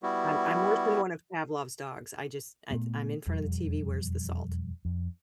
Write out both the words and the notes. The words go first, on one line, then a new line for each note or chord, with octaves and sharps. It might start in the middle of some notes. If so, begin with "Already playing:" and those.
I'm I'm worse than one of Pavlov's dogs, I just it's I'm in front of the TV, where's the salt?
G3 B3 E4 F#4
A#2 A3 B3
E1 F2 G3
F2